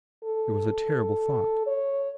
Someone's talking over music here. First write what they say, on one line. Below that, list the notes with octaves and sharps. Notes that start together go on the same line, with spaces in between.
It was a terrible thought.
A4
C#5